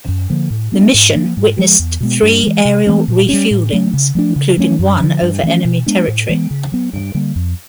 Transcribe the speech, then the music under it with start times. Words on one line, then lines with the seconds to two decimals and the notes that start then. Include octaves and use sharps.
The mission witnessed three aerial refuelings, including one over enemy territory.
0.08 F#2
0.30 D3 F3 A#3
0.50 A2
0.72 F#3 B3 D4
0.94 G#2
1.15 F3 A#3
1.37 G#2
1.58 F3 G#3
1.79 E2
2.00 B2 G#3 B3
2.23 G2
2.43 E3 G#3
2.65 C3
2.87 E3 A3 C4
3.08 A#2
3.29 G3 A#3 C#4
3.51 A2
3.73 F#3 A3
3.93 C#3
4.15 F3 A3 D4
4.36 C#3
4.57 F#3 A3 C#4
4.79 F#2
5.00 D3 F3
5.22 G2
5.43 E3 A3 C#4
5.65 B2
5.86 G#3 B3 D4
6.08 A2
6.29 E3 G#3 B3
6.51 C#3
6.72 F#3 B3
6.93 G2
7.14 D3 G3 A#3
7.36 F2